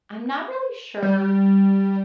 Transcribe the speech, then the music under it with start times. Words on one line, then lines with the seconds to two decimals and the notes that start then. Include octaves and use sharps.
I'm not really sure.
1.02 G3